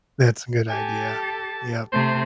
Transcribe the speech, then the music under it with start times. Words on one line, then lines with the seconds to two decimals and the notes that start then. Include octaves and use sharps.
That's a good idea. Yep.
0.69 G4 A4 G#5
1.10 A5
1.92 C3 A3 C5